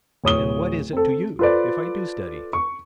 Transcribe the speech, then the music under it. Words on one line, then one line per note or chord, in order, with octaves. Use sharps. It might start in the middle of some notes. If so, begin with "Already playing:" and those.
"And what is it to you, if I do study?"
D1 C#5 D#6 G7
C4 A4
F4 A4 B4 C5 D5
C#6